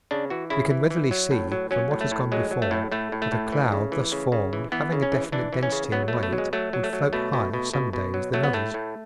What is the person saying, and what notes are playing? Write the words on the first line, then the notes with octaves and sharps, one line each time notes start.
We can readily see from what has gone before that a cloud thus formed, having a definite density and weight, would float higher some days than others.
C#3 D4
E3 F#4
C#3 E4
E3
E3
F#3
A2
F#3
F#3 C#4
A2
A3
A2
F#3 G#3
F#3
A3
A2
A2 A3
A2
A3
A2
E3
C#3
E3
C#3
C#3
E3
E3 B3
C#3
C#4
E3
E3 D4
E3
C#4
C#3
F#3 B3
B2 A3
A3
F#3
G#3
F#3 A3
F#3
A3
F#3
B2 A3
B2
B2
B2
B2
F#3
F#3 A3
B3
A2 A3
A2